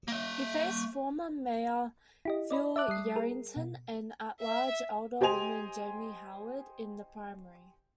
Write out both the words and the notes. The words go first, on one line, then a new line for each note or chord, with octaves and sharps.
He faced former mayor Phil Yerington and at-large Alderwoman Jamie Howard in the primary.
A#3 E5
E4 G4 D#5
D5 D#5 B5
E5 A5 D6 F#6
G3 D#6 C7
G#4 A#4
B2
E5
G4 C5 D#5 G#5 F7